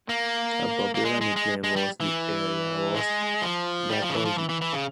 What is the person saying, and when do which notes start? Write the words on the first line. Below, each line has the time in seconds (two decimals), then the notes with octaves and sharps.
A popular nickname for the area was Gatorville.
0.09 A#3
0.95 A#3
1.05 G#3
1.21 G#3
1.36 G#3
1.64 G#3
1.76 G3
2.00 E3
2.95 G#3
3.42 F3
3.90 G3
4.02 F3
4.10 C#3
4.14 E3
4.25 F3
4.38 E3
4.49 E3
4.61 E3
4.73 C#3